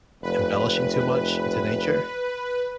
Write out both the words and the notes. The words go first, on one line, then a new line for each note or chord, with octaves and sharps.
embellishing too much into nature?
F1 B4